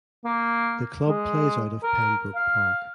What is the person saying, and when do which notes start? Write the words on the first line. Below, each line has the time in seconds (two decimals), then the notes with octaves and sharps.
The club plays out of Pembroke Park.
0.25 A#3
1.08 G#3
1.83 A#4
2.36 F5